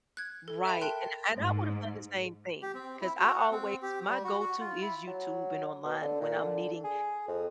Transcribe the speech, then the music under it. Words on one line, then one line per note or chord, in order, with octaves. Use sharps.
Right, and and I would have done the same thing 'cause I always my go to is YouTube and online when I'm needing
F#6 G#6
A4
E5 G5 B5
A#4 G5 A5 C6 F#6
G#2
G4
C4
E4
F#4
F#5
C4
G4
G3
F#4
F#4
F4
E4
F#3
B2
D3
A#2
D3
G#4
F2